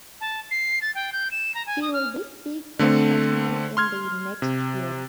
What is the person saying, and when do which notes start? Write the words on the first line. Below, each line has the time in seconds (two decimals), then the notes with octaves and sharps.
He will be sick at some time in the next year.
0.21 A5
0.51 C7
0.82 A6
0.95 G5
1.13 G6
1.31 E7
1.55 A#5
1.66 G#5
1.82 D#6
1.93 F6
2.79 D3 A3 C4
3.77 C6 F6 G#6
4.42 C3